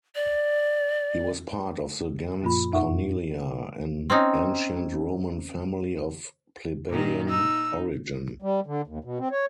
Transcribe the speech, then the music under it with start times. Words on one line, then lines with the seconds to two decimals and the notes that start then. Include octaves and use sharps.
He was part of the gens Cornelia, an ancient Roman family of plebeian origin.
0.15 D5
2.42 F#2 A#2 F3 A#3 F4 B5
2.72 F2 D#4 E5 F#5 C#6
4.10 C4 C#4 D#4
6.89 A#2 D#3
7.30 D#4 E6
8.42 G3
8.66 D3
8.87 D#2
9.04 B2
9.19 C4
9.31 C#5